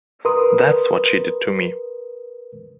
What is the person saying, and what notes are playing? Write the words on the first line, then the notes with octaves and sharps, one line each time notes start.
That's what she did to me.
A#4 B4 C6 D#6